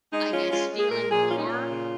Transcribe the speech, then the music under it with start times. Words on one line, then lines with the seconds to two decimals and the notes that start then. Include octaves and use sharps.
I guess, feeling more
0.12 G#3 D#4
0.32 C#4 F4
0.51 G#3 F4
0.71 G#3
0.77 G#4
0.90 A#2 A#4
1.10 A#2 G#4
1.30 C#4 F4
1.37 D#4
1.45 A#2 F4
1.69 C#3